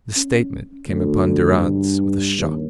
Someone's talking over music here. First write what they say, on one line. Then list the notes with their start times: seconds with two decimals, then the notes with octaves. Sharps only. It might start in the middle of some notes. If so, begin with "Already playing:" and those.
The statement came upon Durrance with a shock.
0.17 C#4
0.87 D2
1.52 G2
2.38 D#2